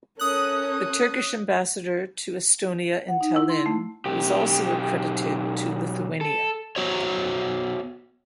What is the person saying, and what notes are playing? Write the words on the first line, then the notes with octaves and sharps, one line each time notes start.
The Turkish ambassador to Estonia in Tallinn was also accredited to Lithuania.
C#4 A4 A#4 D#6 F#6
F#5
D#4
E4
C6
A3
B1 G4
A4
B3 F#4 C5 C#5